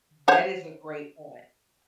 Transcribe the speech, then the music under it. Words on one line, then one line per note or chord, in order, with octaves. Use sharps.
That is a great point.
C5 C#5 F#5